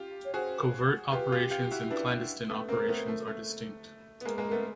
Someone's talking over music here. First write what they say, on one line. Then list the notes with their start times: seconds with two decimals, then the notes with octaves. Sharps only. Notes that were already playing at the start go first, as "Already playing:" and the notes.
Covert operations and clandestine operations are distinct.
Already playing: F4 G4
0.25 C#5
0.34 F#4 G#4 C5
1.12 F4 G4 B4
1.32 F4 G4
1.51 F4 G4
1.71 E4 F#4
1.91 D4 E4 B4
2.49 A3 B3
2.69 A#3 C4 A#4
2.89 A3 B3
3.08 A3
3.27 A3
4.21 B3
4.25 G#3 A#3 A#4
4.37 G#3 A#3 B4
4.48 A3 B3 A#4